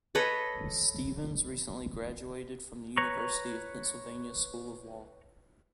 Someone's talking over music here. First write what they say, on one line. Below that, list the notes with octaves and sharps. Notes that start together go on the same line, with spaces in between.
Stevens recently graduated from the University of Pennsylvania School of Law.
A4 B4 C#5 D#5
B4 C#5 A#5 C#6